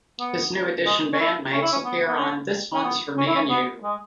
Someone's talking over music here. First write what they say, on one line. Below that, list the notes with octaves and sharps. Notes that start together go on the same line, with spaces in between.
His New Edition bandmates appear on "This One's For Me And You".
B3
G#3
C#4
E4
C#4
E4
C#4
B3
B3
C#4
C#4
B3
C#4
E4
C#4
B3
G#3